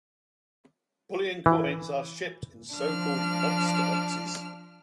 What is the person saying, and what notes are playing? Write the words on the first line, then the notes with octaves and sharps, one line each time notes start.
Bullion coins are shipped in so-called monster boxes.
E3
F3 D4 F6